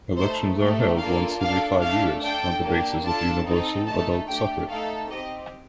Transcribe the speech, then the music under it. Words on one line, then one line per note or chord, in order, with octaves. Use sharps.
Elections are held once every five years, on the basis of universal adult suffrage.
A3 D#4 A4 C5
A3 D#4 G4
A#3 D4 F4 A4 F5
D4 A4 F5
A3 D4 A4 F5
D4 A4 G5
A#3 D4 G4
D4 F4 A4 A5
C4 D#4 A4
A3 D#4 A4 A5
A3 D4 G4 G5
A3 D#4 A4 F5
C4 G4 D#5